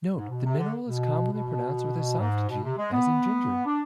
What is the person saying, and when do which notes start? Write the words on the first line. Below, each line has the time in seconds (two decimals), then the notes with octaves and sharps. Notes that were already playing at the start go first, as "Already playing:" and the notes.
Note: The mineral is commonly pronounced with a soft "g", as in "ginger".
0.16 G#2
0.30 B2
0.45 C3
0.58 D3
0.88 B2
1.32 B2
2.19 G#2
2.49 B2
2.63 C3
2.77 G#3
2.93 B3
3.66 D4